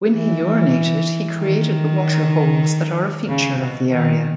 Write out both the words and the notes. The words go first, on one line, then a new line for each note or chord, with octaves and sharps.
When he urinated he created the waterholes that are a feature of the area.
E3
D#3
C#3
B2
D#3